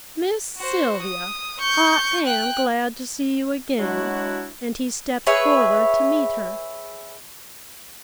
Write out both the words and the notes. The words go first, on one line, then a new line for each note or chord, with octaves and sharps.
"Miss Sylvia, I am glad to see you again," and he stepped forward to meet her.
F#4 C5
D#6
C#6 G6
G5 F#6
F#3 G#3 D4 E4 F#4
G#4 B4 C#5 E5